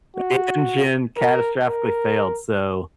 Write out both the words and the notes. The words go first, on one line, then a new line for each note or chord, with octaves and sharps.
the engine catastrophically failed, so,
F#4
A#4
A#4